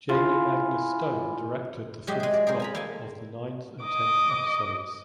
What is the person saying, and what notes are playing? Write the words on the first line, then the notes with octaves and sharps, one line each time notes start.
Jamie Magnus Stone directed the fifth block of the ninth and tenth episodes.
E3 F4
F#3 G#3 F#4 G4 D#5 E5
G#3 G#4
D5
G#4 A#4 C5
G#5 A#5 B5
A#3 A4 G#5
D#5 D6